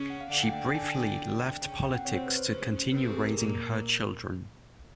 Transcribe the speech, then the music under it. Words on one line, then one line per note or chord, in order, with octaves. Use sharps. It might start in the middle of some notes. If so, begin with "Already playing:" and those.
She briefly left politics to continue raising her children.
Already playing: C#3 C#4
F#5
F5
D3 D4 F#5
G5
G5
G5
G#5
G5
G5
G5
C#3 C#4 G5
G5
G5
F#5
C3 C4 C#5
C5
B4
C5
C#3 C#4
C3 C4 B4
A4
G4
G#4
A#4
A#2 A#3